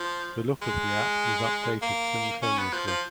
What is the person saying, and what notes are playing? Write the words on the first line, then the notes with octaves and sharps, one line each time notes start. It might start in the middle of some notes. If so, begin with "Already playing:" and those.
The look of the app was updated simultaneously.
Already playing: F3
G#3
A#3
C#4
B3
F3
F3